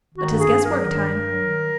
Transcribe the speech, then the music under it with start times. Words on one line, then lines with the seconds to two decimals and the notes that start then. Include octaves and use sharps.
"But 'tis guesswork time."
0.15 D#3 F#4
0.30 G2
0.39 G#4
0.46 G2
0.61 F#3 A#4
0.78 D#3
0.93 G2
1.09 G2
1.24 F#3
1.40 D#3